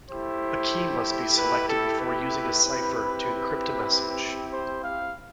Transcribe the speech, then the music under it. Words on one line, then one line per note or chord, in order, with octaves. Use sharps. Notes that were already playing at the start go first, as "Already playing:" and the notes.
A key must be selected before using a cipher to encrypt a message.
A3 E4 G4 C5
B4
A4
B4
C4 E4 G4
C5
F5